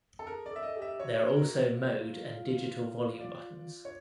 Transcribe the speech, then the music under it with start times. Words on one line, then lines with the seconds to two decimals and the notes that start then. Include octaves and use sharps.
There are also mode and digital volume buttons.
0.19 A4
0.27 G#4 A#4
0.46 D5
0.51 A4 E5
0.63 D#5
0.76 G4
0.82 E5
1.00 F#4 C#5
1.37 A#4
1.73 F4
3.20 D5
3.85 C#5